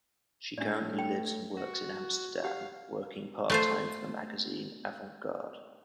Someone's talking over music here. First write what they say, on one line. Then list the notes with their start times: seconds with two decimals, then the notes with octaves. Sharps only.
She currently lives and works in Amsterdam, working part-time for the magazine AvantGarde.
0.58 A2 D4 D5
0.98 G5
1.57 F#4
2.44 G4 F5 F#5
3.50 A3 F4 C5